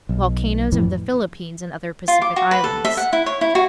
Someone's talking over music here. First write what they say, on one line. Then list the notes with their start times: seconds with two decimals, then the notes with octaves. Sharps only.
Volcanoes of the Philippines and Other Pacific Islands.
0.09 B1
0.72 A#1 F2 A2 E3
2.08 F4
2.22 D6
2.36 F#4
2.51 B4
2.64 A4
2.85 E5
2.97 F#5
3.13 E4
3.26 C#5
3.41 E4
3.55 F#4